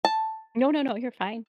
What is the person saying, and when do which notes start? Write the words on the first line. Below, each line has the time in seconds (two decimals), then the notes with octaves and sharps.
No, no, no, you're fine.
0.05 A5